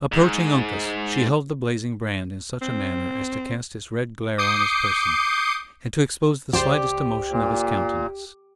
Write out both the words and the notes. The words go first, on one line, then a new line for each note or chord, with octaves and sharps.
Approaching Uncas, she held the blazing brand in such a manner as to cast its red glare on his person, and to expose the slightest emotion of his countenance.
G#2
C4
D6 D#6 G6 C7 C#7
C#2 G4 C5 D5
A#2